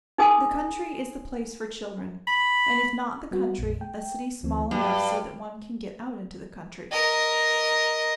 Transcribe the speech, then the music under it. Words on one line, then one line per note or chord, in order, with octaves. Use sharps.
The country is the place for children, and if not the country, a city small enough so that one can get out into the country.
D#4 G#4 A#4 G#5 D#6
B5
G3 B3 F#4
A#1 F2
G5
D2 E3 C4
G2 F#3
A#4 D#5